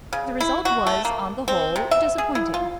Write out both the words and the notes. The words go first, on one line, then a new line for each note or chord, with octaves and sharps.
The result was, on the whole, disappointing.
C#3
E4
F#4
A3
A#3
C4
C3
E5
G#4
E4
F4